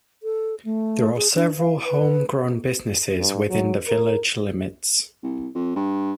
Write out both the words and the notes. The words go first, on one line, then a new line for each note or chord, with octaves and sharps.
There are several "home grown" businesses within the village limits.
A4
A3
G#4
D4
F5
B4
G2
F#3
A#4
C2
F2
G2